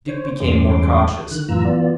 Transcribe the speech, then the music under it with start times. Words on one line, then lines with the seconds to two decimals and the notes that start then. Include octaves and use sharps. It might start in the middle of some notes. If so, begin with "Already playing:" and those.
Dick became more cautious.
0.08 C5 C#5
0.40 E2 G2 G#3 C#4 C6 D6
1.31 D3 D#3 F#6
1.49 F#2 A2 E3 F4 A#5 E6
1.65 E3 B3 F4 D5